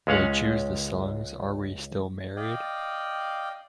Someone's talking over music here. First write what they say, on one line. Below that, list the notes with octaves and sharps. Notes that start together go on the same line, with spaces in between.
They choose the songs Are We Still Married?
C#2 G#3 C#4 F5 F#5
D5 D#5 F5 G5